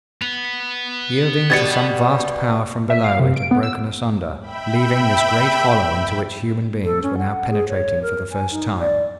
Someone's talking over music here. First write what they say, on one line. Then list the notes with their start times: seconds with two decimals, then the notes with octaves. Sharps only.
Yielding to some vast power from below it had broken asunder, leaving this great hollow into which human beings were now penetrating for the first time.
0.22 B3 F7
1.50 B2 G3 G#6 A6 C#7
2.90 E5
3.04 F5
3.19 C3
3.36 D7
3.51 B3
3.63 E6
4.40 E5 G5 B5
6.84 A4
7.03 C#4
7.18 F#5
7.50 G#4
7.69 C#5
8.02 A#4
8.32 G#5
8.51 D#4
8.80 D5